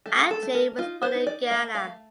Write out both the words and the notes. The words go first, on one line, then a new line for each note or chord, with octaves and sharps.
Adjei was born in Ghana.
A3 A4
A4
A3
A#4
D#4 F4
C5
D#4
D5
A3 F5
F5
A3